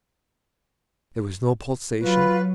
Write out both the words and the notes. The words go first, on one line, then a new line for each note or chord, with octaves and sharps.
There was no pulsation.
F#3 F4 B4